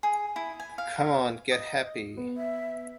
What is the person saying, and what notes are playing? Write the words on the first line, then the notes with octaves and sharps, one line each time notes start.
Come On Get Happy!
G#4
E4
G#5
F5
D#5
B3
E5